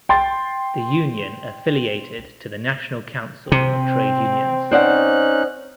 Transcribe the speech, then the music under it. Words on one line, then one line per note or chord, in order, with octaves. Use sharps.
The union affiliated to the National Council of Trade Unions.
G5 C6 A6
C3 C4
C#4 D#4 C5 D5 F#5 F#6